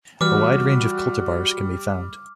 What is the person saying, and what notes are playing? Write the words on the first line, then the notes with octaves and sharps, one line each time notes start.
A wide range of cultivars can be found.
E3 G3 F#4 D6 F6